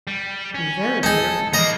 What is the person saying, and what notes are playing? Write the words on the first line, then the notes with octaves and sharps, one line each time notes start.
Be very careful.
G3
C#4
D#4 G#4 A4
G3 A#3 D#5 A#5